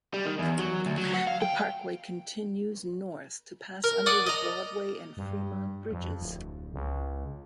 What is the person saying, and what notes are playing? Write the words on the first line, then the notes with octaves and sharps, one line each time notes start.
The parkway continues north to pass under the Broadway and Fremont bridges.
G3
D#3
E2
F#3
D2
F#3
F#5
F5
G5
A#4
D5 F#5 D#6
D#5 A#5
G2
F2
D1
C#2